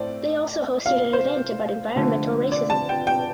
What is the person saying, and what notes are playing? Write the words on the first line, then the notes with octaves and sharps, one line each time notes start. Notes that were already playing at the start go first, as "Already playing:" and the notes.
They also hosted an event about environmental racism.
Already playing: A2 A3 C4 D5
F5
C5
D3 F3 A3 C4
D5
A5
G5
G5